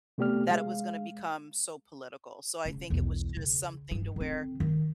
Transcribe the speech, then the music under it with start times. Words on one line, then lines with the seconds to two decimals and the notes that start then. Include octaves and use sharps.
that it was gonna become so political. So I think it was just something to where,
0.18 C3 A3 B3 G4 D5 F6
0.48 G#3 F5
2.65 C#3 C#4
2.90 B1 E2
3.37 C#3
3.91 G2 E3
4.16 D3 C4
4.60 D#3